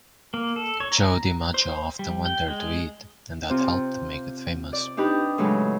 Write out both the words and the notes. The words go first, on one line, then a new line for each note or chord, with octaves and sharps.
Joe DiMaggio often went there to eat, and that helped make it famous.
A#3
A4
C#5
A#5
C5
G3
G5
G#3
C3 C4 F4
D5
D4 D#4 G4 B4
A2 C#3 F#3 G#3